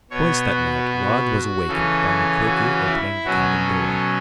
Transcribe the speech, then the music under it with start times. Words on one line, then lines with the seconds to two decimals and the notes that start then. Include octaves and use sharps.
Twice that night Rod was awakened by Mukoki opening the cabin door.
0.11 B2 B3 C#5
0.50 F#4
0.89 F#4
1.68 C#3 E3 C#4 A4
2.46 F#4
2.86 E4
3.25 B2 F#3 C#4 F#4
3.65 A4